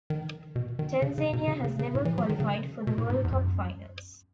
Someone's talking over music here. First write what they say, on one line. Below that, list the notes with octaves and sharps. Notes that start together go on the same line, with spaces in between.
Tanzania has never qualified for the World Cup finals.
D#3
B2
D#3
C#3
C#3
B2
C#3
C#3
C#3
A2
E3
F#3
D#3
C#3
B2
A2
G#2
E2
F#2